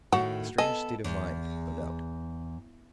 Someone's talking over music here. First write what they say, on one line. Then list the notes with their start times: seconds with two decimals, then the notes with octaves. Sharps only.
A strange state of mind, no doubt.
0.12 A2 D#3 A3 F#4 F#5
0.58 B3 A4 D#5 G#5
1.04 E2